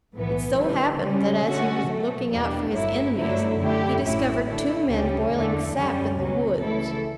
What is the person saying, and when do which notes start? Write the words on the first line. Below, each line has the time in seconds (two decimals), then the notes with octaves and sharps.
It so happened, that as he was looking out for his enemies, he discovered two men boiling sap in the woods.
0.14 B1 A2 E3 B3
0.57 D3 G3 B3 E4
1.00 C#3 G3 C#4
1.43 D3 A3 C#4 F#4 A4
1.86 B2 F#3 A3
2.30 E2 B2 G3 D4
2.72 G1 G2 F#3 A3 E4
3.15 G2 D3 F#3 A3 E4
3.59 F#2 D3 A3 E4 G4
4.02 A1 A2 F#3 C#4 E4
4.45 D3 A3 E4
4.87 D2 C#3 G3 C#4
5.31 E2 D3 A3
5.74 F#2 D3 G3 C#4
6.17 C#2 B2 F#3 C#4
6.60 C#3 E3 A3 E4 A4